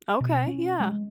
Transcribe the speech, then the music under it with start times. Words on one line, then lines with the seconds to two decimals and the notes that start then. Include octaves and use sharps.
Okay, yeah.
0.20 B2
0.47 C#4
0.80 G#3